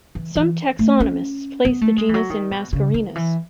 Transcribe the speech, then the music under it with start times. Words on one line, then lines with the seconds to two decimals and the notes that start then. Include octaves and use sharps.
Some taxonomists place the genus in "Mascarinus".
0.15 E3
0.36 E3
0.79 A3
1.00 C#4
1.65 B3
1.81 A3
1.98 G#3
2.09 E3
2.14 F#3
2.30 D#3
2.51 B2
2.73 C#3
2.94 D#3
3.15 E3